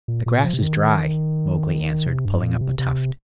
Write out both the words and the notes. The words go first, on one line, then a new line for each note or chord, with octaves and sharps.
"The grass is dry," Mowgli answered, pulling up a tuft.
A#2
A#2
F3
C3
D#3
C3
G2
A#2
C3
C3